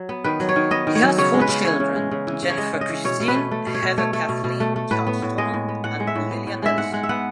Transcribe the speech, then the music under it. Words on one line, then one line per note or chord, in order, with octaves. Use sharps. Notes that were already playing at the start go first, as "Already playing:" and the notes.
He has four children, Jennifer Christine, Heather Kathleen, Charles Donald, and Lillian Ellison.
Already playing: F#3
B3
D#3 B4
F#3
C#5
D#3
B3 D#5
D#3
C#5
F#3
C#3 C#5
G#3
B4
C#3
E3 C#5
C#3
G#3
C#3
E3
C#3
C#5
G#3 D#5
C#3
D#5
E3
B2 C#5
B2
B4
A3
A3
B2
C#5
B2
A3 C#5
A3
B2
B2
A3
A3
A2 B4
B3
A2
G#3 D#5
A2
B3
A2 F#5
G#3
E5
A2
B3
A2
G#3 E5
G#2 F#5
G#3 F#5
E5
B3 F#5